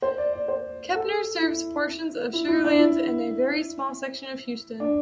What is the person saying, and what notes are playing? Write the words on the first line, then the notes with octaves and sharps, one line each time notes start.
Kempner serves portions of Sugar Land and a very small section of Houston.
C5
D5
D5
C5
A4
E4
E4
E4
D4
E4
D4